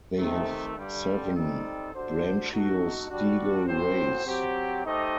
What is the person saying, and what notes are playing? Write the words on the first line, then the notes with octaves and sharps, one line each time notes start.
They have seven branchiostegal rays.
C3 D#3 A3
G2 D3 G3
G3 C4 D#4 A4 D5
D3 G3 D4 F#4 C5
A3 D#4 F#4 A4
G3 D4 F#4
A2 F#3 C4 F#4 C5
F#3 C4 G4
A3 D#4 G4 C5 D#5